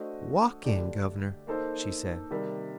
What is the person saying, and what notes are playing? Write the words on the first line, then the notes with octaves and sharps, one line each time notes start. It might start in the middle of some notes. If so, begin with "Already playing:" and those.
"Walk in, governor," she said.
Already playing: A3 D4 F#4 C5 D#5
D3 A3 D4 G4 D5
A#3 D#4 A4 C5
C3 D#3 G3 A#3